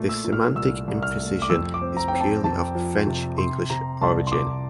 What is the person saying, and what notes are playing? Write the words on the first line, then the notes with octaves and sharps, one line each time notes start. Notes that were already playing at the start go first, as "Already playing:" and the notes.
This semantic imprecision is purely of French-English origin.
Already playing: A#2 A3
E6
A#2
F6
C2 E6
C2
F6
A3
D6
F2 E6
D6
C4
A#5
C4 G5
A5
F2 A5
F3
C3
C3 C6
C3 A#5
C2 A5
C6
C2 D6